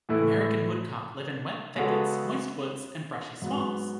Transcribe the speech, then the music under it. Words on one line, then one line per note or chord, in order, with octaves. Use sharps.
American woodcock live in wet thickets, moist woods, and brushy swamps.
A2 E3 A3 E4
C#3 G#3 B3 F#4 A4
G#2 F#3 B3